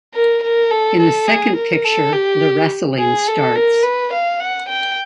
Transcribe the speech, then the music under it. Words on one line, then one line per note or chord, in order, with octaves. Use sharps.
In the second picture the wrestling starts.
A#4
A#4
A4
A4
G#4
A#4
A4
G4
G#4
A4
A#4
B4
F5
F#5
G5